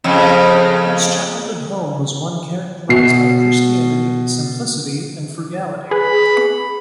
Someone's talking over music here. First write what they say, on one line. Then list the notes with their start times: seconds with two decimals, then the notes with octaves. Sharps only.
His childhood home was one characterized by Christianity, simplicity and frugality.
0.04 F2 C#3
2.89 B2 C7
5.91 G#4 B4 B5